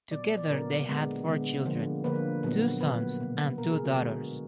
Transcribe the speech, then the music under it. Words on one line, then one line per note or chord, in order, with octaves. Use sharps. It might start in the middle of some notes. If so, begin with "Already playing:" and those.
Together they had four children; two sons and two daughters.
A#2 F#3 B3 D5
D5
D5
A#2 F#3 B3 A#4
D3 G#3 B3
D3 G#3 B3
D3 F3 A#3
D3 F3 A#3 B4
A#2 F#3 B3
A#2 F#3 B3 B4
B2 A#3
B2 A#3 A#4
G#4
F#4
D3 G#3 B3